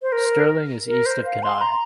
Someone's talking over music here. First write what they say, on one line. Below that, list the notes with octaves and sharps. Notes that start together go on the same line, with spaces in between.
Sterling is east of Kenai.
C5
A#4
A#4
C5
F5
C6
A#5